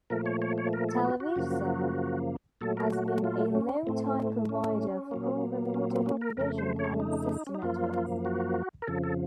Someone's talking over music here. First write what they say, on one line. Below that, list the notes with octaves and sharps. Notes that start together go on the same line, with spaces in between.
Televisa has been a longtime provider of programming to Univision and its sister networks.
A#2 F3 A3 A#4
C#5
C#5
C#5
A#4
A4
F#4
F#4
F#2 C#3 F3 A#3
A#2 F#3 A3 A4
A#4
F#4
F#4
F4
C#4
A2 A3 C4
C#4
A#2 F#3 A#3
C#4
C4
C#4
A#4
F2 C#3 A3 A#4
C5
C#5
D#4
C#4
D#4
F#2 F3 A#3 F4
F#4
A#4
F2 C#3 F3 A4
A4